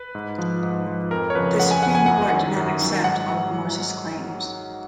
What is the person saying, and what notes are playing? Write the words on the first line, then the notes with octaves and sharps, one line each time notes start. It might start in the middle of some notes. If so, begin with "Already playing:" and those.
The Supreme Court did not accept all of Morse's claims.
Already playing: B4
G#2
F3
G#2
F3
F2 A#4
C#5
C#3 F3 B4
F2 F#5
G#5
C#3 F3 F#5
G#5
F#2 F#5
G#5
D#3 F#3 F#5
F#2
D#3 F#3
G#2 F#5
F#3